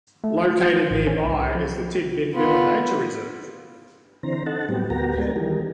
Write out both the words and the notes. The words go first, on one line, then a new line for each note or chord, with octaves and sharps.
Located nearby is the Tidbinbilla Nature Reserve.
A3
F4
A6
C5
A1
C#4
C2
F3
B3 F4
D3 E3 C4 C5 A#5
D#4 A4 F#5 A5
A2 F#3 G3 B3 C4 G4
D2 B3 F#4 G4 A#4 A#5
G#3 B3 A#4
D#3 E3 G3 G4 G#4 A#4